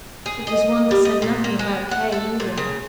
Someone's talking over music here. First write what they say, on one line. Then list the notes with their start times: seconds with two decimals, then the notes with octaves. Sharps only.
It was one that said nothing about Kay either.
0.26 G#4
0.47 D#5
0.91 G3
1.05 D#5
1.22 A#2
1.44 A#3
1.59 G#3
1.91 F#5
2.12 A4
2.40 A#2
2.57 C#3